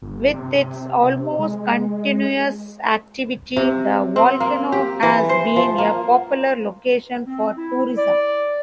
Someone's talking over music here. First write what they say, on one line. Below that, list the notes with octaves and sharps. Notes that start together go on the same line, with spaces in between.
With its almost continuous activity, the volcano has been a popular location for tourism.
G1
C3
G#3
C3
C4
A#3
G4
E3
C5
F3
A#3
C4
E4
D5